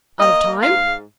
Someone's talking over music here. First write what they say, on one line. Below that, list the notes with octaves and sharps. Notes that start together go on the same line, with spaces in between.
Out of time?'
A#3 D#5
A#3
G#2 F5
G#2